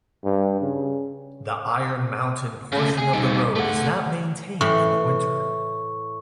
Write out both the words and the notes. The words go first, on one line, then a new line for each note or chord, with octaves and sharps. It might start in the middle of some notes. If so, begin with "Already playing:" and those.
The Iron Mountain portion of the road is not maintained in the winter.
G2
C#3
C#3 A3
G#4
G3 D#4
A3 F#5
A2 E3 C#6